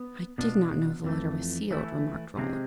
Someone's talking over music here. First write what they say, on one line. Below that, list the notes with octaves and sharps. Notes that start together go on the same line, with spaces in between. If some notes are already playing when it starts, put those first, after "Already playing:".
"I did not know the letter was sealed," remarked Roland.
Already playing: B3
B2 B3 D4 F4
F2 E3 A3
E3 A3 E4
C3 G#3 C4